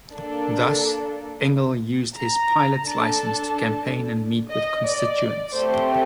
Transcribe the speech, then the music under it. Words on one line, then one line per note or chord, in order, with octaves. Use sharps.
Thus, Engle used his pilot's license to campaign and meet with constituents.
A#3 D4 A4
A#5
D4 A4 A5
D#5
D5
A3 C4 G4 C5